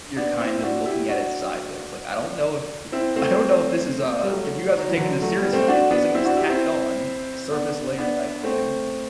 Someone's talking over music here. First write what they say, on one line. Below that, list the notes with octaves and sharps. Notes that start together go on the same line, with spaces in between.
you're kind of looking at it sideways, like, I don't know if I don't know if this is a if you guys are taking this seriously, it feels like it was tacked on, surface layer type thing.
B3 D4
C4 E4
E4
D4 F#4
E4 G4
D4 F#4
C4 E4
A3 C4
G3
F#3 A3
F#3
E3
D3 F#3
F#3 A3
G3 B3
A3 C4
D4 F#4
B3 D4
C4 E4
D4 F#4
E4 G4
C4 E4
B3 D4
B3 D4
A3 C4